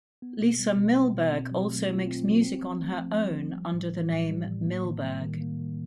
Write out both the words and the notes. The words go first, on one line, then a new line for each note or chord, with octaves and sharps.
Lisa Milberg also makes music on her own, under the name Milberg.
B3
B2
G3
B2
B3
B2
C4
F#3
A3
F4
C4
F#3
C4
F3
A3
F3
C4
F3
G3
A2
E3
A2
G3
A2
A#3
D#3
G3
D#3
A#3
D#3